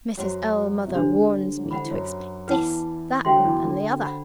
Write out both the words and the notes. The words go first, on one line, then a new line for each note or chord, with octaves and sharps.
Mrs. Ellmother warns me to expect this, that, and the other.
F#2 F#3 F#4 C5 F#5
C3
D3 D4 G4 C5
D3
F#3
E3
D3 C5 F#5 B5
E3
F#2 F#3
E2 E3 B4 F#5 A5
D3 F#4 C5 E5 G5 C6
F#3
E2 E3
D3
C5 F#5 B5